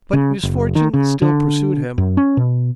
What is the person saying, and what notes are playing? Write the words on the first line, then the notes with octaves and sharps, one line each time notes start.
But misfortune still pursued him.
C#3
F#1
D#3
C#3
D3
F#2
C#4
B2